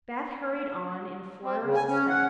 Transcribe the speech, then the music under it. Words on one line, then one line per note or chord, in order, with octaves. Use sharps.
Beth hurried on in a flutter of suspense.
C4
C#3
G#5
C#4
F#5